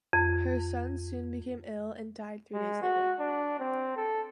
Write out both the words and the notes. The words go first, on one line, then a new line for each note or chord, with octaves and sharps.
Her son soon became ill and died three days later.
F2
G#3
F#4
D4
C4
A4